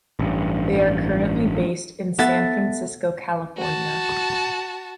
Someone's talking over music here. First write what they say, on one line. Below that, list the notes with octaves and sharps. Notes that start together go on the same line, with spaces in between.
They are currently based in San Francisco, California.
A1 G2
B3 A4 E5 A6
F#4 A5